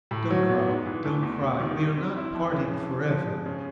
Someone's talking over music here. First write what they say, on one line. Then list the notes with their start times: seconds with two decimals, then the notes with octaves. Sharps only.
Don't cry, don't cry: we are not parting for ever!
0.11 A2
0.31 F#3
0.49 B3
0.67 G#2
0.86 E3
1.04 A3
1.23 E2
1.41 C3
1.60 D#3
1.79 G3
1.97 C4
2.17 E4
2.35 F2
2.53 C#3
2.71 E3
2.91 C3
3.09 F3
3.27 G#3
3.46 C#3